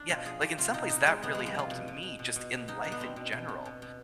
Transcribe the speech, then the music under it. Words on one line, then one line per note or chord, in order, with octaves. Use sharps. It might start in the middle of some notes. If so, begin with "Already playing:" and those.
Yeah, like, in some ways, that really helped me just in life in general,
Already playing: D4
B2 F4
F3 G#4
F3 G4
C3 F4
B2 D#4
B2 D#4
B2 G#3
C3 B3
F3 G#3
G3
C3 F4
B2
B2
B2
B2
B2
B2
B2 D#4
B2 D4
B3
B2 C4
B2
B2
B2
B2
B2